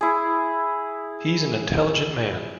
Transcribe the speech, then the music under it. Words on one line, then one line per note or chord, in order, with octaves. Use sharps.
He's an intelligent man.
E4 G#4